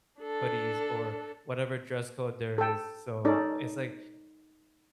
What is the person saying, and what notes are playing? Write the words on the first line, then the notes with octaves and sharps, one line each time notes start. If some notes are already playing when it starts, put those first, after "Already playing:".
hoodies or whatever dress code there is, so, it's, like,
D4 A4
A4 G5
C#4 D#4 A4 D5